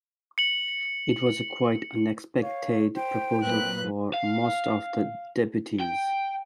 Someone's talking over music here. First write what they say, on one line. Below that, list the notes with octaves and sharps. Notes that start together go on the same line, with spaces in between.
It was a quite unexpected proposal for most of the deputies.
C#7 F#7
C#5 F5
C5 G5
A#2 F#3 C4 B4 F#6
F5
G5